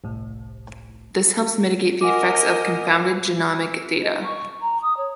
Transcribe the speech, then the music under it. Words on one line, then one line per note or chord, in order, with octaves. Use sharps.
This helps mitigate the effects of confounded genomic data.
G1 C2 A2
A#4 D#5 F#5 G#5 D6
D#5
C#6
A#5
D#6
C#5